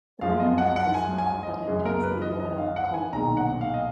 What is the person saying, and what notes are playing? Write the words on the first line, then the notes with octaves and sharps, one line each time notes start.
The band has a small but intensely loyal cult following.
F#2 F3 G#3 F5
D#5
F#5
F#5
G#5
G#5
D#5
F#2 C#3 G#3 G#4
A#4
B4
D#5
D#5
F5
F#5
G#5
B1 A#2 G#3 A#5
F#5
F5
D#5